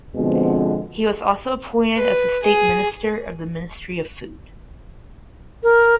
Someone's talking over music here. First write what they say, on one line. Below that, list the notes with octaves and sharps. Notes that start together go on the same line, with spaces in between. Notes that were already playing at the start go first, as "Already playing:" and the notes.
He was also appointed as the state minister of the Ministry of Food.
B2 D3 F3 G#3 B3 C4
B4
G#4
A#4